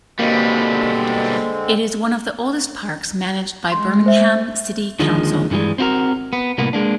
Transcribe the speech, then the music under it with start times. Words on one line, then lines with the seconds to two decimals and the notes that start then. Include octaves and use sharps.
It is one of the oldest parks managed by Birmingham City Council.
0.19 B2 D3 G3 G#3 A#3 C4
3.72 G#3 C6
4.06 C5 E5
4.99 D#2 D3 D#3 F3 G#3
5.50 G2 D3 E3 G3 G#3
5.78 C4 E4 F#4 A#4
6.33 B3
6.58 C2 A2 A#3 B3
6.73 G#3 A#3 D4